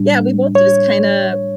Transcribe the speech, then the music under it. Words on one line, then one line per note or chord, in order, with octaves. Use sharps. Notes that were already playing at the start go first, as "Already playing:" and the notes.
Yeah, we both just kinda
Already playing: A2 G3 D4
C#5